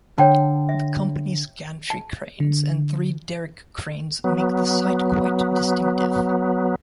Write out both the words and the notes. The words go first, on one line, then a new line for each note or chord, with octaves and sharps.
The company's gantry cranes and three Derrick cranes make the site quite distinctive.
D3 C#5 G5 A5
E5
A5
D3
F#3 B3